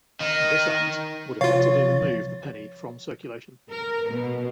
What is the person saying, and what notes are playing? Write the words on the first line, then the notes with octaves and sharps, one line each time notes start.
This act would effectively remove the penny from circulation.
D#3 D#5
C3 F3 F4 C#5 F5 A6
A#4
B2